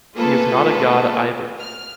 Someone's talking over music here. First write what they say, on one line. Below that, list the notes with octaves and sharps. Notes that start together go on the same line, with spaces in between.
He is not a God either.
A3 A#3 F4 G#4 A4 B4
F6